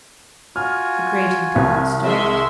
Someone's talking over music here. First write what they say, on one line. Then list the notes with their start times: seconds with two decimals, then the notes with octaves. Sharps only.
The grating did not stir.
0.56 F4 F#4 G#5 F6
1.56 C2
2.05 G#3 E5 C6